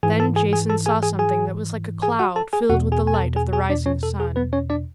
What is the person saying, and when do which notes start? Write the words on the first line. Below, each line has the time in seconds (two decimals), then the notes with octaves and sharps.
Then Jason saw something that was like a cloud filled with the light of the rising sun.
0.03 G#2 E3 G#4 G#5
0.20 A4 A5
0.36 G#4 G#5
0.53 G#4 G#5
0.70 A4 A5
0.86 G#4 G#5
1.02 G#4 G#5
1.19 G#4 G#5
2.02 G#4 G#5
2.19 F#4 F#5
2.36 A4 A5
2.53 G#4 G#5
2.69 E2 B2 F#4 F#5
2.92 G#4 G#5
3.07 G#5
3.14 A4 A5
3.36 G#4 G#5
3.53 G#4 G#5
3.70 D4 D5
3.86 C#4 C#5
4.03 A4
4.20 G#4
4.36 B3 B4
4.53 C#4 C#5
4.70 D4 D5